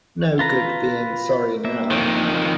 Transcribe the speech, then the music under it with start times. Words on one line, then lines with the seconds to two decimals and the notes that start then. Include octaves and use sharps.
No good being sorry now.
0.39 F4 B4 A#5
1.65 A#3 E5
1.91 F2 D#3